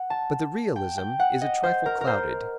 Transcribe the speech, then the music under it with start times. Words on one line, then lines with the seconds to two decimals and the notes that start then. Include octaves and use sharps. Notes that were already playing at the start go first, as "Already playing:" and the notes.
But the realism is a trifle clouded.
Already playing: F#5
0.10 A5
0.76 G5
0.98 G5
1.19 F#5
1.41 D#5
1.63 C5
1.86 A#4
2.01 A#4
2.07 C5